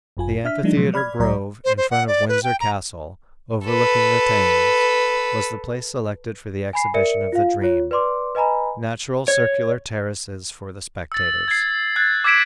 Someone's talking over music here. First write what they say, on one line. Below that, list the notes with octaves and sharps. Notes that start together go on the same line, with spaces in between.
The amphitheater grove in front of Windsor Castle, overlooking the Thames, was the place selected for the exhibition of the "Dream." Natural circular terraces for the spectators.
G1 F#2 F4 G#5
D4 E5 F6 B6
F3 G3 A3 D4 D#4
B2 F3 F#3 G#3 B3
D5 B5 F6 G#6
C2 A2 F#3 D5 A#5
C5
C5
F#5
D5
B4
G5
A#5
A4 B4
G#5 B5 C7
A#4 D5 E5 C#7
F4 F5
F4 C#5
B4 D5 C6 D6
B4 D#5 G#5 A#5 B5
C#5
E6 A6
G#6 C7
F#6 G#6 A6
D6 E6 G#6 B6 D7 E7